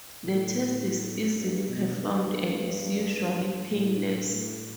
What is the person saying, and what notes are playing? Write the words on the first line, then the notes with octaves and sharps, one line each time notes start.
The test is easily performed and is usually painless.
A2
G2
B2
G2
A2
A2